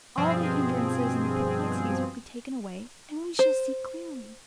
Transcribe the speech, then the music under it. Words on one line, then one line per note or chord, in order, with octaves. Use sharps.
All the hindrances and perplexities will be taken away, and we shall see clearly.
G2 B2 F3 C4 G#4
C5